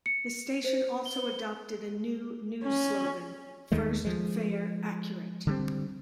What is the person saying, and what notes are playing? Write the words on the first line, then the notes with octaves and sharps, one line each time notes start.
The station also adopted a new news slogan: First, Fair, Accurate.
C#7
C5
G7
C#4
D#2 D#3 G#3 A3
F3 G#3
D3 G3 C4